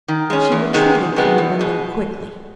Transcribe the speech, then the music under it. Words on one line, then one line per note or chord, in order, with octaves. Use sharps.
She retreated from the window quickly.
D#3
G#3 C#4
E2
C3 D#3 G#3 B3
E2
C3 D#3 G#3 B3
E2
B2 G#3